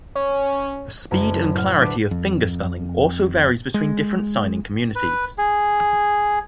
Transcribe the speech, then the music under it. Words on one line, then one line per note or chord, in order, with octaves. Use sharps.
The speed and clarity of fingerspelling also varies between different signing communities.
C#4
F#1 F#2 A3 A#5
E4
A2 F#5 F6
D2 D4 B4 D6 A6
F2
G#3
B4
G#4